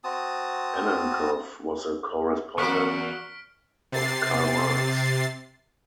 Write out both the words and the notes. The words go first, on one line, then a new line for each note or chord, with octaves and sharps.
Annenkov was a correspondent of Karl Marx.
C4 F#4 A5 D#6
E2 A#3 F#4 C#6 F6 B6 D7
C3 A6 C7